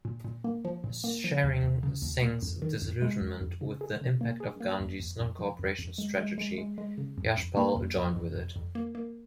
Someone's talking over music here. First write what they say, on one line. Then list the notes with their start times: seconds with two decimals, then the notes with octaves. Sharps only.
Sharing Singh's disillusionment with the impact of Gandhi's non-cooperation strategy, Yashpal joined with it.
0.05 A#2
0.24 A#2
0.44 A#3
0.65 F3
0.84 A#2
1.04 A#3
1.24 F3
1.44 D#2
1.63 D#2
1.83 C#3
2.02 D#2
2.22 A#3
2.42 F2
2.62 D#3
2.82 F2
3.02 G#3
3.21 F2
3.41 F2
3.61 C#3
3.81 G#4
4.01 C#3
4.21 A#3
4.40 G#4
4.60 A#3
4.80 F2
5.00 F2
5.19 F2
5.39 F3
5.59 F2
5.79 F2
5.98 G#3
6.18 G#3
6.38 G#3
6.58 G#3
6.78 G#3
6.98 C#3
7.18 F2
7.37 F2
7.57 A#3
7.76 F2
7.97 F2
8.16 F2
8.35 F2
8.56 F2
8.75 A#3
8.95 A#3